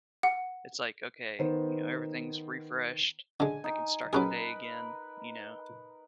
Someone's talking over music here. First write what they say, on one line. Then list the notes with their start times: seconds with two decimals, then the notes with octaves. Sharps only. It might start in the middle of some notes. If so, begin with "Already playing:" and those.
It's like, okay, you know, everything's refreshed, I can start the day again, you know?
0.23 F#5
1.39 D#3 B3 C5
3.40 D3 G#3 G#5
3.64 D#4
4.13 F#3 C#4 G#4 A#4 B4